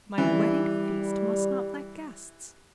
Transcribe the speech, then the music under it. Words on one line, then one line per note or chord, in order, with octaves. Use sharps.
My wedding feast must not lack guests.
E3 G3